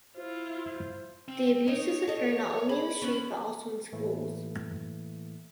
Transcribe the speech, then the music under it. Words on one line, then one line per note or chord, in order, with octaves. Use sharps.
The abuses occur not only on the street but also in schools.
E4 F4 C5
C4
D#4 C#5
A4 D#5
G#4 B5
B3 C#4
A2 E3 A3 A#3